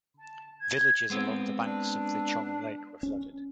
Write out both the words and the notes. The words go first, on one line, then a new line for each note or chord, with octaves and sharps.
Villages along the banks of Qiong Lake were flooded.
A5
G#6
G#3 B3 C4
D4
C#4